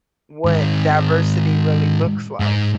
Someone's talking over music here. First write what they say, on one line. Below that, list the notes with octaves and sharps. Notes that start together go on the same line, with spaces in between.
what diversity really looks like,
G#2 D#3
G#2